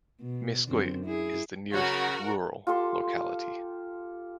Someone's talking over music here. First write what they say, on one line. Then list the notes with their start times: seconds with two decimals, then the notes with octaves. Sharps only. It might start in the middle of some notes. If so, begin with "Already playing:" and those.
Mayskoye is the nearest rural locality.
0.22 B2
0.68 F#2 D3 C4
1.05 E4 G#4
1.73 C#3 F#3 F#4 A#4
2.67 F4 G4 A4 C6